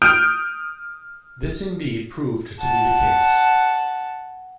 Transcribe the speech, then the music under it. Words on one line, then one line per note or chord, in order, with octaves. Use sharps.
This indeed proved to be the case.
D#6 F6 G6 D7
F#5 A5